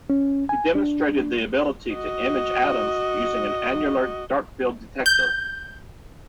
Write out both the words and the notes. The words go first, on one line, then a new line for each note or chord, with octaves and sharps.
He demonstrated the ability to image atoms using an annular dark field detector.
C#4
G#5
D4
F#4 D#5
G6